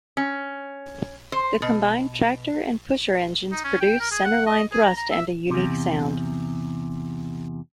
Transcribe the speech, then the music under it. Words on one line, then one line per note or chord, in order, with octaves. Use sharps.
The combined tractor and pusher engines produce centerline thrust and a unique sound.
C#4
C5
B2
D#4
C#4
G5
A#4
G#4
F#5
D#5
G#4
A#5
A#5
E5
E2 C3